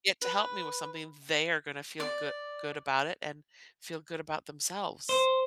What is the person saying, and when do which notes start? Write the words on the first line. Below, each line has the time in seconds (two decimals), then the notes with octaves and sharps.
get to help me with something, they are gonna feel goo good about it and feel good about themselves.
0.22 B4
2.00 D5 D6
5.09 C5